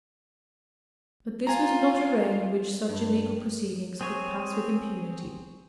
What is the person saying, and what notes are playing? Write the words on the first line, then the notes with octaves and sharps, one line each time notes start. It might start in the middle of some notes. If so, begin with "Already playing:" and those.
But this was not a reign in which such illegal proceedings could pass with impunity.
F4 G#5 A#5
G2
C4 G#4 C#5